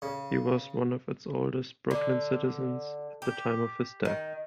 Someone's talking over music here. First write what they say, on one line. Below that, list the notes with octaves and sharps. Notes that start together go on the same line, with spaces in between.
He was one of its oldest Brooklyn citizens at the time of his death.
C#3
D3
G4
D#3